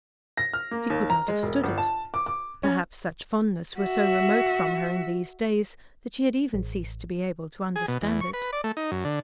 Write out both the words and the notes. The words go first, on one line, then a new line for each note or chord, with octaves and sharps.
She could not have stood it; perhaps such fondness was so remote from her in these days that she had even ceased to be able to understand it.
A#6
F6
A#3
D#2
A#5
G#3
E1
G1
A5
D6
D6
C#4
F#4 E5
A1
G#4
B2
E2
C#6
B4
D5
A3
D#4
F#2
D3